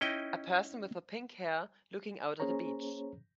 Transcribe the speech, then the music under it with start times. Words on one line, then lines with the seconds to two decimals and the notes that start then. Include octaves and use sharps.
A person with pink hair looking out at a beach.
0.01 C#4 D#4 E4 D#5 G5
2.40 A#3 C#4 G#4 C5 C#5 A#5